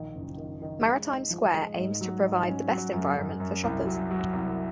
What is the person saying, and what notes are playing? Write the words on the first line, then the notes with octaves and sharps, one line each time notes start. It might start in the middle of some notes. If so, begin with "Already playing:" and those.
Maritime Square aims to provide the best environment for shoppers.
Already playing: A#1 D#3
F#1
D#3
D#3
G#3
D#4
F3
G#3
G#2
F#3
G#2
C#4
F#3
F#2
F#2
F#2
C2
F#3
F#3
C2